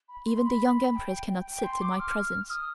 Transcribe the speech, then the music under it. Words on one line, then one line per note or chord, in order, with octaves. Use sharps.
Even the Young Empress cannot sit in my presence.
B5
C6
B5
G5
G5
G5
C6
D6
F6
D#6